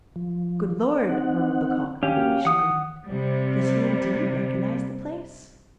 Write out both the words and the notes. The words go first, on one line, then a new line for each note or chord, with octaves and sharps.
"Good Lord!" murmured Lecoq, greatly chagrined, "does he indeed recognize the place?"
F3
C4 D#4 F#5
D#3 C#4 D4 G4 F5
A#3 F#4
E3 F#5 D#6
C3 G3